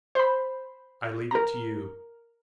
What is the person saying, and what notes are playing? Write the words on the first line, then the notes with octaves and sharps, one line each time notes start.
I leave it to you.
C5 B5
A#4 A#5